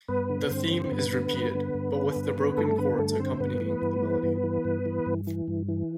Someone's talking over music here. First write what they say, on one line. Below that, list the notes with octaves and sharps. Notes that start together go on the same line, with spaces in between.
The theme is repeated but with the broken chords accompanying the melody.
G2 B3 B4
D3
G2 C4 C5
D3
G2 B3 B4
D3
G2
D3
G2
D3
G2
D3
G2 A3 A4
D3 B3 B4
G2 A3 A4
D3 C4 C5
G2 B3 B4
E3
G2
E3
G2
E3
G2
E3
G2
E3
G2
E3